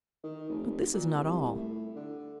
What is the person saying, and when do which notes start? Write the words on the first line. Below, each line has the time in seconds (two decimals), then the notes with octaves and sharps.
But this is not all.
0.24 D#3
0.49 F1
0.93 A#2
1.14 C2
1.55 A2
1.96 D3